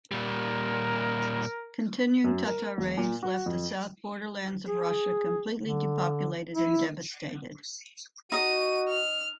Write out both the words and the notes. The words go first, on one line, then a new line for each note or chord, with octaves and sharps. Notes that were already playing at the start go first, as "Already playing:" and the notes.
Continuing Tatar raids left the south borderlands of Russia completely depopulated and devastated.
A#2 G3 A#4
F#2
A#4
E1
A#2
F#4
F2
G#4
D3
E4
D#4 F#4 D#5 D#7
F6